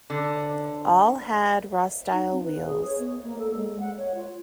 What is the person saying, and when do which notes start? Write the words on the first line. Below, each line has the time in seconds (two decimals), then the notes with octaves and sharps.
All had "Rostyle" wheels.
0.10 D3
2.11 D#4
2.31 C4
2.44 B4
2.66 G#4
2.86 C#5
2.98 B3
3.23 A#3
3.39 A4
3.55 G#3
3.80 F#5
3.97 C#5
4.15 F4